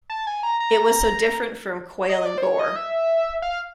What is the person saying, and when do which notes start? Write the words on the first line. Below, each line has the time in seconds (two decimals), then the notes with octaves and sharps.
It was so different from Quayle and Gore.
0.10 A5
0.27 G#5
0.43 A#5
0.60 A#5
2.09 D#5
2.26 D5
2.38 C5
2.43 C#5
2.59 D#5
2.76 E5
3.42 F5